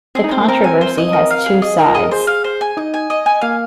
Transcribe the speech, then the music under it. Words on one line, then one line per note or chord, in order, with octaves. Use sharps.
The controversy has two sides.
C4 G#4
D#4
C4 C5
A#3
C4 A#4
G#5
C5
D#5
A#4
F5
G#4
D#5
D#4 A#4
F4
G#4 D#5
A#4
G#4 C5
F5
C5
G#5
D#4 D#5
G#5
D#5
G#5
A#3 F5